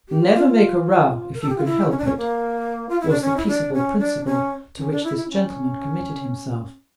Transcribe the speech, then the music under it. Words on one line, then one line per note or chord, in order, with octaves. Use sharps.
"Never make a row if you can help it," was the peaceable principle to which this gentleman committed himself.
G4
F4
F4
F4
A#4
A4
G4
F4
E4
C#4
D4
C#4
A#3
F4
E4
D4
C#4
E4
D4
C#4
D4
C#4
C#4
D4
E4
E4
C#4